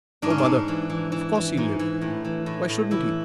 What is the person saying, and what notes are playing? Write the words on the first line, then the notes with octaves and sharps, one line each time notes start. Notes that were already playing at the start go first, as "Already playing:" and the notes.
"Oh, mother, of course he'll live; why shouldn't he?"
G#2 D4
C#4
D4
G#2
E3
E3
E3
E3
G#2
E3
A2
E3
A2
A2
E3 E4